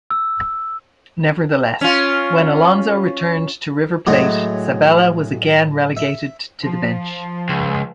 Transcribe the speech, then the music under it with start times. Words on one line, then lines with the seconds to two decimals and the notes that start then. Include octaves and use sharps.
Nevertheless, when Alonso returned to River Plate, Sabella was again relegated to the bench.
0.10 E6
1.81 C#4 F4
4.07 A2 F#3 G#3
5.97 E5
6.61 F3
7.49 C#2